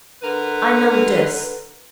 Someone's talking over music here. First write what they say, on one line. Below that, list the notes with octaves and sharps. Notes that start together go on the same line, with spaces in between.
I know this.
D3 A#4 B4